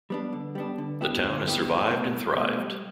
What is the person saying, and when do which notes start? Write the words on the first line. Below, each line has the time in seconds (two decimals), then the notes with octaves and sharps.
The town has survived and thrived.
0.10 G3 B3 D4
0.33 D3
0.55 G3 B3 D4
0.78 D3
1.01 G3 B3 E4 G4
1.24 D3
1.47 G3 B3 E4 G4
1.68 C2
1.91 B2 A3
2.14 C2
2.37 B2 A3
2.59 G3